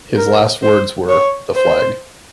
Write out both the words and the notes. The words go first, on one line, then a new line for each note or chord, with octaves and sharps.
His last words were, The flag!
A#4
C5
C#5
C5